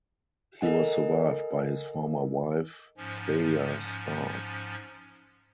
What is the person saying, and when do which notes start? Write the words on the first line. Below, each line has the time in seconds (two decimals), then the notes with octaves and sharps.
He was survived by his former wife, Freya Stark.
0.61 A4 A#4 D#5 F#5 G#5
2.97 G#2 F3 C#4